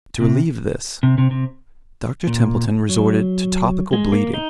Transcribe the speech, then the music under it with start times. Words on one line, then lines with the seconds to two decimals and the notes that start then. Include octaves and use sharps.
To relieve this, Dr. Templeton resorted to topical bleeding.
0.21 C3
1.03 C3
1.18 C3
1.31 C3
2.27 A#2
2.89 F#3
3.93 G#3
4.12 A#3
4.34 D#4